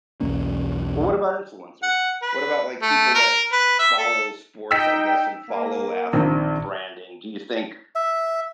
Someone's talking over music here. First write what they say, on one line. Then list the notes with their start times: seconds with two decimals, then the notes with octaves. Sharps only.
Well, what about influencers? What about, like, people that follow sports, I guess, and follow athlete branding? Do you think
0.21 B1 E2 A#3 C#4
1.83 F#5
2.22 B4
2.82 A3
3.15 A#4
3.53 B4
3.79 E5
3.98 A4
4.71 D#4 G5 E6 B6
5.48 A#3
6.13 A#1 D#3 C4
7.95 E5